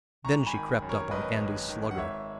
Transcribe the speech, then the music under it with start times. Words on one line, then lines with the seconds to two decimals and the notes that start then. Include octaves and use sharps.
Then she crept up on Andy's Slugger.
0.25 G#1 A#5 C#6
0.46 G#5 B5
0.54 D#3
0.82 F#2
0.89 A#4 C#5
1.11 G#1 B4 D#5
1.40 G#1
1.69 D#3
1.91 F#5
1.97 G#1 C#5 E5